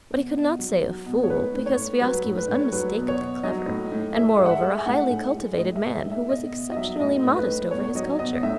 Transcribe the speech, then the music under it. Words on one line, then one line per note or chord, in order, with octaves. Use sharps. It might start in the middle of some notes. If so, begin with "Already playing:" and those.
But he could not say "a fool," because Sviazhsky was unmistakably clever, and moreover, a highly cultivated man, who was exceptionally modest over his culture.
B2
B2
F#3
F#3
B2
C#5
A2 B4
A2
C#5
A2
F#3 B4
A2
B4
A2
C#5
F#3 B4
B2
C#5
B2
F#3 D#5
A2
A2
G#3 E5
G#3
F#5
E5
G#3
G#5
A2 F#5
A2
G#3
A2 D#5
E5
G#3
E5
A2
E5
B2 D#5
B2
D#5
F#3 E5
A2 D#5
A2
B4
A2
B2 C#5
C#5
F#3 D#5
B2 D#5
A2 E5